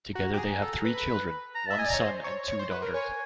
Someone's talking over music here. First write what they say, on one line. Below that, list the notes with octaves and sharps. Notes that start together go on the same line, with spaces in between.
Together they have three children; one son and two daughters.
F#4 A#5
G4
G#4
A4
B4
A#5
A5
E5
D#5 G#5
D5
A#5
C#5
C5
C#5
C#5
C5
B4
A#4
C#5 G#5